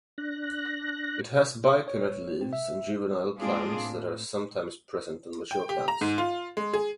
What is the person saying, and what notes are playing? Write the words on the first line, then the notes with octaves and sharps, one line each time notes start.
It has bipinnate leaves on juvenile plants that are sometimes present on mature plants.
D4 F#6 A#6
C#5
C4
E5
G#3 A#3 C4 D4 F4 G#4
A2
G5
G4
A#5
G#2
F4
G#3
G#4